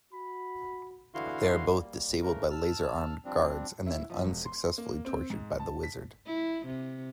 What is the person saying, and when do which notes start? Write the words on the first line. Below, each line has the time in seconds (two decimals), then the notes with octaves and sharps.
They are both disabled by laser-armed guards and then unsuccessfully tortured by the wizard.
0.13 F#4 B5
1.14 D3 E3 E4 F#4 F5 C6
1.72 G3 A#3
2.22 C#3 E3 A3 A#4
2.50 A5 E6 F6
3.25 F3 G3 C4 D4
3.87 E4
4.10 F3
4.24 E1
4.45 C6
4.78 A#3
5.05 C4
5.30 G#2
5.60 A5
5.83 B6
6.26 E4
6.66 C3